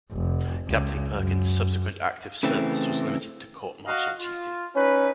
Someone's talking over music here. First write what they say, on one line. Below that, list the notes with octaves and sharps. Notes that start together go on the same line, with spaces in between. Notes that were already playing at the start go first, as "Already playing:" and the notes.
Captain Perkins' subsequent active service was limited to court-martial duty.
F1
C#2
F#2
C#3 E3 A3 C4
F#4 D#5 F5
F4
C#4 D#4 B4